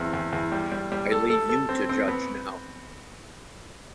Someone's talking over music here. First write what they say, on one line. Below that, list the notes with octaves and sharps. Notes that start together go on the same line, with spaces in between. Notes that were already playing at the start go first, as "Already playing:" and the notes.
I leave you to judge now!
Already playing: E2 C4
E2
E2
G3
G3
G3
A4
A4
A4
C4
C4
B3